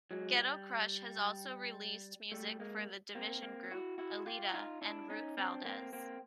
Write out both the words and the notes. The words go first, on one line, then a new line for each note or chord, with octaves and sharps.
Ghetto Crush has also released music for The Division Group, Aleda and Root Valdez.
F#3 G#3
G3
G3 A3
G#3 A#3
A#3 C4
A#3 C4
E4 F#4
E4 F#4
F4 G4
D#4 F4
D4 E4
C#4 D#4
C4 D4
A#3 C4
A#3 C4